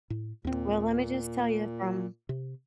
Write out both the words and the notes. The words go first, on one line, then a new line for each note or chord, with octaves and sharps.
Well, let me just tell you from
A2
D#2 A#2 C4
C3